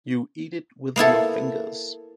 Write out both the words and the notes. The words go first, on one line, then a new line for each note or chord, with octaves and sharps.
You eat it with your fingers.
A#3 B3 E4 A4